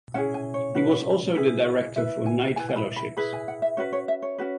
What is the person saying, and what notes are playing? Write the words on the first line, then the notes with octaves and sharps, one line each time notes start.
He was also the director for Knight Fellowships.
C#4 E4 G#4 F#5
G#5
C#5
C#4 F#4 B4
E4 G#4 B4
E4 B4 E5
G#5
E4 B4 G#5
G#5
B5
B5
E4 G#4 B4 B5
G#5
F#5
E5
C#4 F#4 B4 C#5
C#5
E5
C#5
C#4 F#4 B4